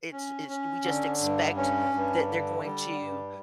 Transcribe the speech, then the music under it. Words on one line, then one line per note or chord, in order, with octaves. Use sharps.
it it's, we just expect that they're going to,
C#4
C#4
D3
G2
C#4
G2
D3
G3
G2